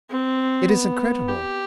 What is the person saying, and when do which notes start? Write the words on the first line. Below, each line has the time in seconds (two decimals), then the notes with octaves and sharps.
It is incredible!
0.11 C4
0.69 B3
1.28 G4